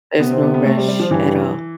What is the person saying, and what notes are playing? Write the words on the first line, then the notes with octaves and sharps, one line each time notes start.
There's no rush, at all.
C3 B3
C4
B3
B3
A3
G3
G3
F3
G2 E3